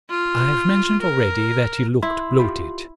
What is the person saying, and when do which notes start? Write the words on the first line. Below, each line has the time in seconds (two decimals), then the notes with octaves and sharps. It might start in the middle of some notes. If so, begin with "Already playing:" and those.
I have mentioned already that he looked bloated.
0.10 F4
1.02 A#4
2.03 E4 C6
2.39 F4 G4 B5